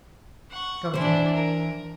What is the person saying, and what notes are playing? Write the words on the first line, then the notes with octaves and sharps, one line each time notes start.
"Come, then."
F#5 C#6
E3 D4 E4 C5
A#4